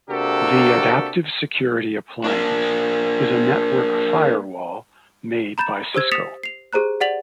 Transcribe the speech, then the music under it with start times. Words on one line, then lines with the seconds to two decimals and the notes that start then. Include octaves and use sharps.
The Adaptive Security Appliance is a network firewall made by Cisco.
0.10 C3 A#3 D4 F#4 G4 A4
2.24 A#3 D4
5.58 A#5 B5 G6 A6 E7
5.95 G4 C5 E6 G#6
6.12 D#6 A6 B6 C#7 E7 F7
6.43 C7 F7
6.73 G4 G#4 C5 A#5 F#6
7.00 G4 D5 F#5 A6 F7 F#7